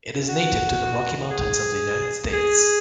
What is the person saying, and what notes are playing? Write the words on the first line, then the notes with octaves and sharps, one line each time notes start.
It is native to the Rocky Mountains of the United States.
F#4
G#4
G#4